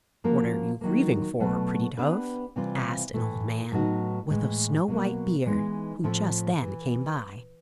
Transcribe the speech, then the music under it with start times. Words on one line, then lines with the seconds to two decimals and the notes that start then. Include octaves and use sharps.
"What are you grieving for, pretty dove?" asked an old man, with a snow-white beard, who just then came by.
0.24 F3 A#3 C#4 F#4 A#4
0.81 D#3 F#3 A#3
1.40 B2 F#3 A3
1.98 B3 D4 G4 B4
2.56 C3 E3 G3 C4 F4
3.14 A2 E3 A3
3.72 A2 F#3 B3 D#4 F#4
4.30 A2 E3 G#3
4.88 B2 F#3 A#3
5.46 E3 G#3 B3 D#4
6.04 A2 F3 A3 C4
6.62 E3